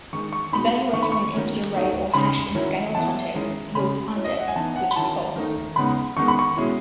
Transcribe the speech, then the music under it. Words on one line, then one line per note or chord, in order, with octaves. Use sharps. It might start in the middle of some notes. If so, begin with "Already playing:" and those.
Evaluating an empty array or hash in scalar context yields undef, which is false.
D#3 G#3 D#4 C#6
C#6
B2 G#3 D#4 B5
D#3 A3 D#4 C#6
B5
C#6
D#3 F#3 C#4
F#3 A3 D#4
C#3 G#3 D#4 B5
D#3 F#3 C#4 E4
E3 B3 E4 A5
D#3 G#3 C#4 E4
C#3 G#3 C#4 B5
F#3 C#4 E4
D#5
E5
F#5
G#5
E3 B3 D#4 A5
F#5
B5
D#3 F#3 C#4 E4 A5
D#3 A3 D#4
C#3 G#3 B3 D#4 B5
D#3 G#3 B3 D#4 C#6
B5
C#6
B2 G#3 C#4 E4